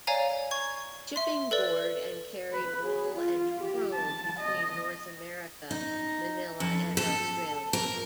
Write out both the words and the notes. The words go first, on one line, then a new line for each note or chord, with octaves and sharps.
Shipping Board and carried wool and chrome between North America, Manila and Australia.
C#5 D5 F5 G#5 A#5
C#6 G#6
E5 C6
A4 B4 D5
B4
G#4
F4
G4
A5
D#5
D#4
F2
A4
A#4